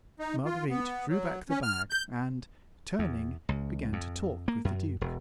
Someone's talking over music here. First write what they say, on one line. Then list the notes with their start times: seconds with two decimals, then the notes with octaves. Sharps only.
Marguerite drew back the bag, and, turning, began to talk with the duke.
0.19 D#4
0.45 F4
0.70 B3
1.10 F#3
1.49 C#4
1.63 F6
1.90 G6
2.99 E2
3.49 C#2
3.93 F2
4.48 A#3
4.65 F#2
5.01 E1